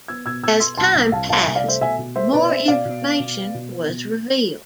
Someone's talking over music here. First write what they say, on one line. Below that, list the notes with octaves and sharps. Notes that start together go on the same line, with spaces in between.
As time passed more information was revealed.
B3 E6 G#6
B2 E6 G#6
B2 E6 G#6
B3 C6 E6
C2 A5 C6
C2
C2 F5 A5
C2 F5 A5
E5 G#5
C2
D5 F5
A3 C5 E5
B2 E5 G#5
B2
A3 C5 E5
B2 B4 D5
D5
C4 C5 E5
B2 D5 F5
B2
B3
B2
B3
B2
B3
B2